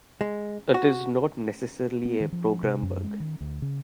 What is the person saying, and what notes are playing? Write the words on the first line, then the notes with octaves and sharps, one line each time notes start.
It is not necessarily a program bug.
G#3
F#4
B3
D#3
F3
C3
F#2
G#3
D#3
D2
C#3